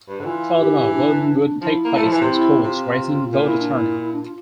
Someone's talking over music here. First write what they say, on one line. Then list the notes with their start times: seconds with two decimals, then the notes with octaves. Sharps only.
Furthermore, voting would take place in schools, raising voter turnout.
0.08 G2
0.20 D3
0.25 E3 F4
0.59 G4
0.94 D4
1.61 F3 E4
1.85 A#3
1.95 A3
2.04 F3
2.12 E3
2.21 C3
2.30 E4
2.63 C3 F4
3.32 A#2 F4
3.45 E4
3.59 D4
3.71 E4
4.00 E4
4.12 D4
4.23 F4